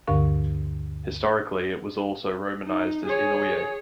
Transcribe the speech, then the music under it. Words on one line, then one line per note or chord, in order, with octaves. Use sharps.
Historically, it was also romanized as Inouye.
D2 G2 D3 A#4 F5 C#6
D#4
G#4 C#5